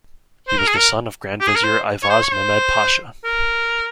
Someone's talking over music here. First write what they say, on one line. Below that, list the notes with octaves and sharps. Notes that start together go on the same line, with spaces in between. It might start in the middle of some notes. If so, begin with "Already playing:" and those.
He was the son of Grand Vizier Ivaz Mehmed Pasha.
C5
A#4
G#4
A#4
G4
G#4
A#4
C5
C#5
C5
C#5
C5
A#4